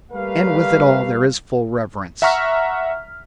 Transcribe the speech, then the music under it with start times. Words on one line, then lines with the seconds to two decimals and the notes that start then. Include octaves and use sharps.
And with it all there is full reverence.
0.11 G3 A3 A#3 A#4 B4 F5
2.22 E5 F#5 A#5 C#6 F6 B6